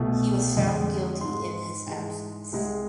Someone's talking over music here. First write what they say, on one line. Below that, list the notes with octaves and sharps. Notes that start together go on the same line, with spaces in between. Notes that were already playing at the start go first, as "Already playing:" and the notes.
He was found guilty in his absence.
Already playing: C2 B2 A3
F2 D3 G#3
G#2 G#3 C6
G#2 E3 G#3
C2 C3 G#3